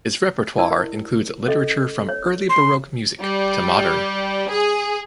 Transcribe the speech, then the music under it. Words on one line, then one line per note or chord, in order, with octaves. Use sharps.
His repertoire includes literature from early baroque music to modern.
E4 D5 E6
A#4
C#4 A4 D#5
C#5
C6
G3
G#4